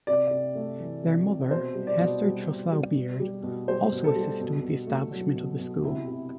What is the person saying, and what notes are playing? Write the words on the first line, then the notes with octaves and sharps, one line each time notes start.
Their mother, Hester Truslow Beard, also assisted with the establishment of the school.
C3 D5
C3
A3
E3
C3
C3
B2 C5
G3
D5
B2
G3
B2
G3
B2
G3
B2
G3 C5
B2
A4
G3
B2
B2
A3
F#3
B2
B2
C3 E4
C3